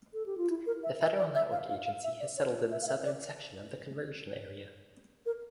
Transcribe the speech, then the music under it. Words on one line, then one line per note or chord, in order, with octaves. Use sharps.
The Federal Network Agency has settled in the southern section of the conversion area.
A4
G4
F4
E4
A#4
E5
E5
D5
E5
F5
F5
F5
E5
D5
C#5
E5
F5
E5
D5
A#4